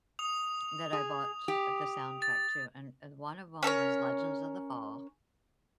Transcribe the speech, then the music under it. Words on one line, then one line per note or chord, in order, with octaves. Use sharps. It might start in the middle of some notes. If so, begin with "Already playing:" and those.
that I bought the soundtrack to, and and one of 'em was Legends of the Fall.
D#6 F7
G#4
G4
A6
C#4 A4 A#4 C#5